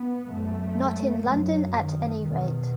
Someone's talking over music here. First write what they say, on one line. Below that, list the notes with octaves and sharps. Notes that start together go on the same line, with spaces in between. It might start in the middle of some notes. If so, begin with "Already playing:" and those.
Not in London at any rate.
Already playing: B3
F#2 A3
F#2 F#3
D#3
E2 B2 D#3